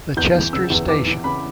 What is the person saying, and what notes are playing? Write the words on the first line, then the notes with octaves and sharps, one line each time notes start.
The Chester stn.
E2 G6
E3
C#3 E6
E2
E2 D6
E3
C#3 B5